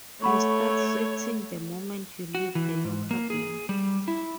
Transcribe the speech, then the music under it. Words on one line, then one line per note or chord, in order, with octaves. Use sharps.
You start sweating the moment you leave the locker room.
A3 C#5 F#5 B5 C#6
F#4
E3
G#2
A#3
G#4
G3
E4